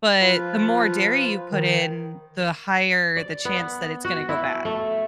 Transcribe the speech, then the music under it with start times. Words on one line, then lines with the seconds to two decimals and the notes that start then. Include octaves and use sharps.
But the more dairy you put in, the higher the chance that it's gonna go bad.
0.20 F3 F4 B4
1.52 D#3
3.17 D5
3.45 B3
4.05 F#4
4.29 E4
4.65 A3